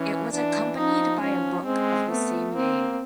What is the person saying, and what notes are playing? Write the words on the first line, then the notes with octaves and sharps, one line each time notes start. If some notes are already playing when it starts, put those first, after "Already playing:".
It was accompanied by a book of the same name.
Already playing: E3 C#4
E3 D4
F3 D#4
F3 C#4
G#3 C4
A3 B3
A#3 C4